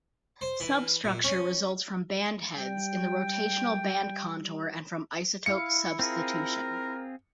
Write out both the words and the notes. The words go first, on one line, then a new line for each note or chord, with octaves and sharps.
Substructure results from band heads in the rotational band contour and from isotope substitution.
C5
E3
A#2
C#4
G3 G5
E4 F5 C#7
C4 F4 G#4 A#4